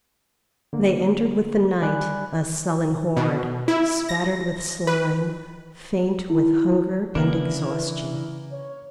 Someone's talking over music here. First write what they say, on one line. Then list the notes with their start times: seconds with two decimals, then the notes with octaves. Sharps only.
They entered with the night, a sullen horde, spattered with slime, faint with hunger and exhaustion.
0.73 D3 A#3
1.81 D3 G3 D5 G#5 B5 F#6
3.17 B2
3.68 E4
4.09 A#6
4.87 B4
6.30 E4
7.15 C#3 E3 A#3 B3 D4 E4 A#4
8.52 C#5